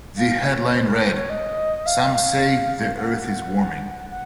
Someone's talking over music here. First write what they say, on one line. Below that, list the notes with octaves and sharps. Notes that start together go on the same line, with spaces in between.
The headline read: Some say the earth is warming.
F5
C#5
C5
A#4
C5
C#5
D#5
F5
F5
F#5
F#5